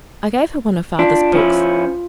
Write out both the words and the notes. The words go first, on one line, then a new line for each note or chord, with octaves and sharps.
I gave her one of father's books.
D4 F4
F3 C#4 E4